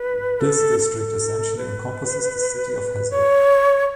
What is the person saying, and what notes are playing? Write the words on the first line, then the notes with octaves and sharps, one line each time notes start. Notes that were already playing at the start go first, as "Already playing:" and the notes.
This district essentially encompasses the city of Hazard.
Already playing: B4
A4
A4
B4
C#5